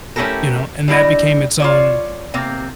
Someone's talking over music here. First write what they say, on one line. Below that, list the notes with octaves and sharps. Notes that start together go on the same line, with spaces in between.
you know, and that became its own
A3 C#4 E4 G4 A4 A#4
G3 D4 E4 D#5
F4 C#5 D5
C3 A#3 C4